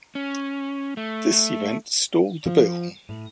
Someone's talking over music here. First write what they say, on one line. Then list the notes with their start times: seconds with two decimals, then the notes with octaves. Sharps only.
This event stalled the bill.
0.15 C#4
0.97 A3
2.46 F3
3.09 A2